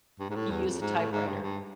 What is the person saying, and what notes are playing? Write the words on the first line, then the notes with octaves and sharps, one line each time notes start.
he used a typewriter.
G2
G#2
A2
E2
F2
G#2
A2
G#2
G2
G2